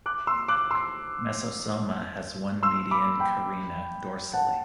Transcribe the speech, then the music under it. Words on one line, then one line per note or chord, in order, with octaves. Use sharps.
Mesosoma has one median carina dorsally.
D6 F#6
C6 E6
D6 F#6
C6 E6
C6 E6
B5 D6
G5 B5
F#5 A5